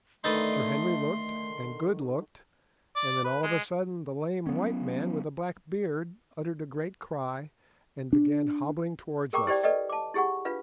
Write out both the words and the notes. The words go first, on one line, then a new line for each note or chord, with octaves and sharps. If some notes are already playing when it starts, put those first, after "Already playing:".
Sir Henry looked, and Good looked, and then all of a sudden the lame white man with a black beard uttered a great cry, and began hobbling towards us.
D3 D#3 A3 D#4 A4 B4 C6
D5
B4
G#3
F#3 B3 C#4
D4
G#4 A#4 G5 A#5 C#6 D6
E4 G4 C5 D5 G5
A4 B4 D5 D#5 G5
A5 D6
E4 G4 G#4 F#5 C#6
D4 F4 B4 F5